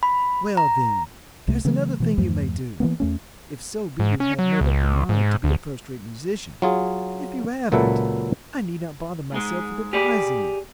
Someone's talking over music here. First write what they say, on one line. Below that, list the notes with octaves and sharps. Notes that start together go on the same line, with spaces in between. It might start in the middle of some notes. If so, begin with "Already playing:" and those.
"Well, then, there's another thing you may do, if so be you have made up a mind to be a first-rate musician; if you haven't, I need not bother myself with advising you."
B5
A#5
C2 C3 A3
C#3 E3 F#3 A3
B2 E3
E2 G2 F3 A3
E3 F#3 A#3 B3
E2 A3 C#4
G#2
C#4
F#3
C#2
G#2
D2
F#3 F4 G#4
C#2 A#2 F#3 A4 B4 E5
G#2 G#3
G4 G#4 D5